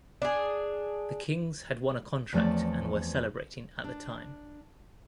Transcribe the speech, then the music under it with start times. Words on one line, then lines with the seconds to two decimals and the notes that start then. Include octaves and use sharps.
The Kings had won a contract and were celebrating at the time.
0.22 D4 G#4
2.33 E2 F3 A3 C4 C#5 D5
3.84 D4